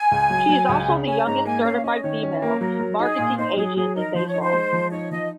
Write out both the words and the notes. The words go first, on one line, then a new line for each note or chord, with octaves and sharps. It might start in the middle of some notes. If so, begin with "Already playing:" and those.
She is also the youngest certified female marketing agent in baseball.
Already playing: G#5
C#2
F#3
F#3
C#2
C#3
C#4 G#5
G#2 A#5
A#3 G#5
C#4 F5
C#4 D#5
D#3 C#5
C#4
A#3 A#4
F#3 A#4
F#3
D#4 G#4
A#2
D#4 C5
F#3 G#4
F#3 G#4
D#4 A#4
F3 C5
C#5
D#4
C5
G#3
F3
D#4 C#5
F3 D#5